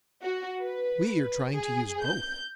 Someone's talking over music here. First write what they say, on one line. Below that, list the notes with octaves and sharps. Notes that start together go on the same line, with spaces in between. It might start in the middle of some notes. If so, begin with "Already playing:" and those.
We are trying to use both.
F#4
B4
G#4
G6